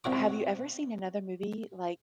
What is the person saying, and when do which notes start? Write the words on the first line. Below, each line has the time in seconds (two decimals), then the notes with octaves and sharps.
have you ever seen another movie like
0.04 C2 C3 F#4 D6